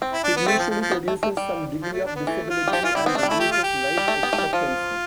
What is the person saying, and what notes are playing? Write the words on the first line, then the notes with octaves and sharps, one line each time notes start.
It usually produces some degree of disability and reduces life expectancy.
C4
E4
D4
B3
A3 C4
F3
F3
F3
B3
A3
A3
G3
F3
A3
D4
B3
E3 A3
F4
G3
F3 G4
E3 F4
G3 E4
B3 C4
A3 D4
G3
A3 E4
G4
F4
G4
G3
A3
B3
A3
G3
F3 F4